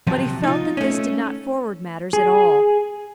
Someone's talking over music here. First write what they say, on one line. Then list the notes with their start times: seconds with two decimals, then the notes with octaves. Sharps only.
But he felt that this did not forward matters at all.
0.07 C3 F3 F#3
0.44 D#4 F4
0.77 A3 C#4
2.13 G#4